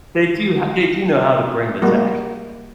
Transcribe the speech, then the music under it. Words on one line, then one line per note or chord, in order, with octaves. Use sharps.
They do h they do know how to bring the tech.
G3 G#3 A#3 F#4